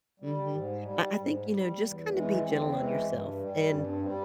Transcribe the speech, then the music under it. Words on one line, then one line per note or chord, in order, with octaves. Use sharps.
mhm, I I think, you know, just kinda be gentle on yourself, and
G3
G#2
G3
G#2
G3
E2
E3 G#3
E2 C4
E3 G#3
G2
G3
G2 C#3 C#4
C4
G3 C4